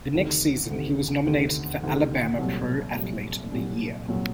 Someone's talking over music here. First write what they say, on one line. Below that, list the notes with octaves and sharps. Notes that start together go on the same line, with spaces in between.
The next season, he was nominated for Alabama Pro Athlete of the Year.
D2 C3 D#3
D2 C3 D#3
D2 C3 D#3
D2 C3 D#3
C2 A#2 F#3
C2 A#2 F#3
C2 A#2 F#3
C2 A#2 F#3